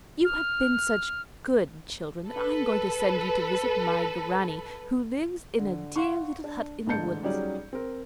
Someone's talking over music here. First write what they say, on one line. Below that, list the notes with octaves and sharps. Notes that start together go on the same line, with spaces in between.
'You have been such good children that I am going to send you to visit my granny, who lives in a dear little hut in the wood.
F6
A4 B4
D3
F5 F#5 C6 C#6
D4
A1 G#2 D3 A5 G6 C#7
F#3 G3 C#4 D#4 G#4 D5
C4 A#4